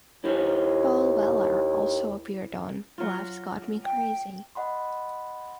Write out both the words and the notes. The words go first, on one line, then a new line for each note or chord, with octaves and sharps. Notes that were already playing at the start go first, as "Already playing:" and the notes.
Paul Weller also appeared on "Love's Got Me Crazy".
D#2 E4 C5 C#5
F#3 F4
G5
D#5 F#5 B5 C6